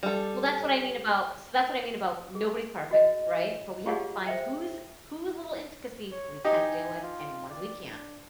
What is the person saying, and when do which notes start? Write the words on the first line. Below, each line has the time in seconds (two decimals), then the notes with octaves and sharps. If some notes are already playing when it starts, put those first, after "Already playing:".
Well, that's what I mean about so that's what I mean about, "Nobody's perfect." Right? But we have to find whose whose little intricacies we can deal with and ones we can't.
0.03 G3 A4
2.35 G#4
2.91 F#4 D#5
3.86 F4 G4 G#4 C#5 F5 F#5
4.26 C5 E5 G5
6.12 C#5
6.45 D#4 G4 G#5
7.03 F4
7.49 D5
7.88 D4